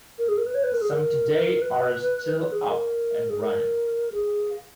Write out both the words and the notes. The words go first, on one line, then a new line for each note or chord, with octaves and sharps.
Some today are still up and running.
A#4
G#4
A#4
B4
C#5
B4
A#4
G#4
A#4
B4
B4
G#4
A#4
G#4
A#4
G#4